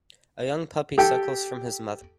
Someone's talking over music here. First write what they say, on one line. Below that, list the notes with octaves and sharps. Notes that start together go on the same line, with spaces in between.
A young puppy suckles from his mother.
G4 A4 G5